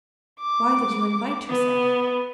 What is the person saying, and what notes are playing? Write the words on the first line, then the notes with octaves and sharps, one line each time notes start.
"Why did you invite yourself?"
D6
B3